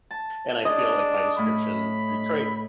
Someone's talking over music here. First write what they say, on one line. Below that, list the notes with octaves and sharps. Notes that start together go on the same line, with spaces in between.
and I feel like my description Detroit
A5
D4 G#4 D#5
A2 B5